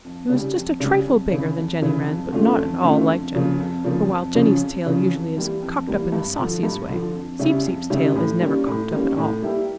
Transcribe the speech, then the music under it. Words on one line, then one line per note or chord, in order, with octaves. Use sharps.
He was just a trifle bigger than Jenny Wren but not at all like Jenny, for while Jenny's tail usually is cocked up in the sauciest way, Seep-Seep's tail is never cocked up at all.
F2
C#3 G3
F2
C#3 G3
F2
C#3 E3
F2
C#3 E3
F2
D3 A3 C#4 F4
F2
D3 A3 C#4 F4
F2
C#3 F3 A#3
F2
C#3 F3 A#3
F2
C#3 F3 C#4
F2
C#3 F3 C#4
F2
E3 G3 A#3
F2
E3 G3 A#3
G2
D3 F3
G2
D3 F3
F2
C#3 G3 C#4 E4
F2
C#3 G3 C#4 E4
A2
G3 A#3 C#4
A2
G3 A#3 C#4
A2
G3 A#3 E4 G4